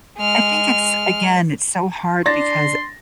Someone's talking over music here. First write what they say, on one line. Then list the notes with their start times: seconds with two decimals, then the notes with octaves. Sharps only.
I think it's again, it's so hard because
0.19 G#3 F6
2.26 D4 C6 A6 A#6